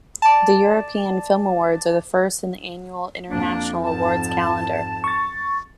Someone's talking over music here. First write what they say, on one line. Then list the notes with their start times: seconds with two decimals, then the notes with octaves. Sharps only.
The European Film Awards are the first in the annual international awards calendar.
0.22 D5 A5
3.29 F2 A#3 D4
3.83 G#2 A5
5.04 C#6 A6